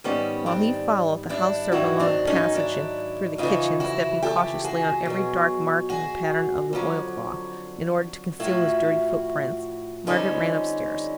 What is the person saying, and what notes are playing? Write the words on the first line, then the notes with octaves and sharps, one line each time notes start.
While he followed the house-servant along the passage, and through the kitchen, stepping cautiously on every dark mark in the pattern of the oil-cloth, in order to conceal his dirty foot-prints, Margaret ran upstairs.
G#2 D#3 G3 B3 C#4
C4 D4
D4 E4
G#2 D#3 F#3 E4 F#4
C4 D4
C#4 D#4
D4 E4
F2 C#3 E3 D#4 F4
E4 F#4
G4 A4
F#4 G#4
B2 F#3
F#4 G#4
F2 D3 F#3
A2 F3 E4 F#4
F2 D3 G3 C#4 D#4